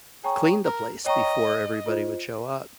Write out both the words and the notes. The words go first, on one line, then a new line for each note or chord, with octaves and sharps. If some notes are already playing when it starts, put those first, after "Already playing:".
clean the place before everybody would show up.
G#4 C#5 G5 A#5 C#6
A#4
C#5 D#5 G5 A#5 C#6
F4 C5 D#5